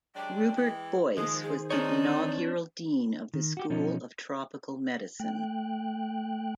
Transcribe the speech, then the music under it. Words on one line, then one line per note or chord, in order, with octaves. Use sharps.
Rubert Boyce was the inaugural Dean of the School of Tropical Medicine.
F#3 G#3 D4 G5
E3 G#3
D#3 F3 G#3 C5 D#6
G#4
C4 D4 D#4 C#5
D5
D#3
F#4 G4
B2 F3 C#4 D#4
A3 G5 F#6